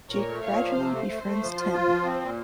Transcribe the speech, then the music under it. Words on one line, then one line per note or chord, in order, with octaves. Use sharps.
Jake gradually befriends Tim.
A#2 A#4 C#5
A3
A#2 C#5 F5
F3
C3 C5
A3
A3
A3
F3
F4
F4
F3
C4
A#2